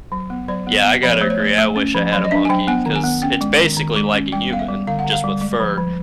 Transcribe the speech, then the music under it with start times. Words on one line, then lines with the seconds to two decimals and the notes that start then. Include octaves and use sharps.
Yeah, I gotta agree, I wish I had a monkey, 'cause it's basically like a human, just with fur,
0.12 F#3
0.30 B3
0.48 F#3 D5
0.67 B3
0.85 B3
1.03 F3 D5
1.12 C#5
1.21 A3 C5
1.30 C#5
1.40 A3
1.58 A3
1.76 C#4
1.94 F3
2.12 F#3 D5
2.25 D#5
2.31 D4 E5
2.45 G#5
2.49 F#3 G5
2.68 B3 G#5
2.86 D#3
2.96 G#5
3.04 B3
3.22 C#4 G5
3.41 G#3
3.60 D#3
3.77 D#3
3.96 G#3
4.14 C#4
4.32 G3 G5
4.50 B3 F5
4.59 E5
4.68 G3
4.87 D3 F5
4.99 F#5
5.05 D3
5.12 F5
5.24 G3
5.41 G#3
5.60 F3
5.78 F3